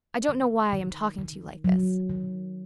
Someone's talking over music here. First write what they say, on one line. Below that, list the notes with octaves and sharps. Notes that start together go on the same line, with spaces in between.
"I don't know why I am talking to you like this."
D#3
D#3
D#3
F#3
D#3